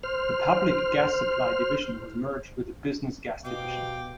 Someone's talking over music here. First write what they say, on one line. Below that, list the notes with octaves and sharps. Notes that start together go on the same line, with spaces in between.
The Public Gas Supply division was merged with the Business Gas division.
C5 F6
B2 C4 G4 D#5 F5 G5 D6